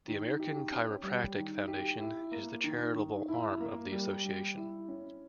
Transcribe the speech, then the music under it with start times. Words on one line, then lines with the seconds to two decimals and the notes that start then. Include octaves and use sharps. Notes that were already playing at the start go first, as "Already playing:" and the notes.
The American Chiropractic Foundation is the charitable arm of the association.
0.08 D#3
0.40 G4
0.72 C#4
1.03 G3
1.36 D#3
1.68 G4
2.00 E4
2.32 A#3
2.64 D#3
2.95 D#3
3.28 E4
3.60 A#3
3.92 G3
4.25 G3
4.57 E4
4.89 C#4